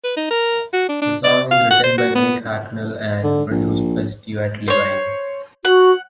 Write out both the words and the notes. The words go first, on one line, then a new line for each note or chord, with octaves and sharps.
The song is written by Mick Hucknall and produced by Stewart Levine.
B4
D#4
A#4
F#4
D4
D4
D5
F5
F#5
C5
F#4
B3
D3
A#1
C5 C#5
F#4 F#5